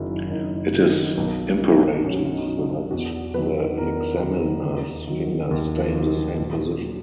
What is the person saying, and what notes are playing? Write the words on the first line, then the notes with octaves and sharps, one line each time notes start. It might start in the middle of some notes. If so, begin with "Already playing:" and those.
It is imperative that the examiner's fingers stay in the same position.
Already playing: F#1 F#2 D#3 F#3 E4
F#1 D#4
F#2 D#3 F#3
B1
B2 F#3
B1 C#4
D#4
B2 F#3
E2 F#4
D#3 F#3 B4
E2 A#4
D#3 F#3
D#2
D#3 F#3
D#2
D#3 F#3
A#1
A#2 F#3